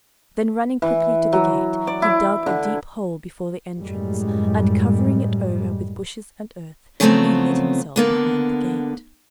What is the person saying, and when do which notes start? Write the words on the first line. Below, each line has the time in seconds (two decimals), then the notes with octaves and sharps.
Then running quickly to the gate, he dug a deep hole before the entrance, and covering it over with bushes and earth, he hid himself behind the gate.
0.82 E3
1.33 F#3
1.87 D5
2.02 E4
2.46 D3
3.77 F#2 A2 G3 G#3
7.00 C#3 F3 F#3 A3 B3 C4
7.96 D3 A#3 B3